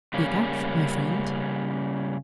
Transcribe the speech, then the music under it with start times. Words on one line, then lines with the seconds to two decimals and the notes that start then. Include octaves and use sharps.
"Speak out, my friend."
0.14 C#3 G3 A#3 C#4